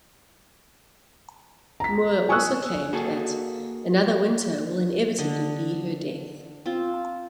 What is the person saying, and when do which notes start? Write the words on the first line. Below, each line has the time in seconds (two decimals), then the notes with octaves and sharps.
Moore also claimed that "another winter will inevitably be her death".
1.80 A#5 B6
2.29 G#5 C#6 D#6 E6 F#6
2.93 A#3 F#4 G#4 A4
5.18 D3 D#5
6.66 C4 F4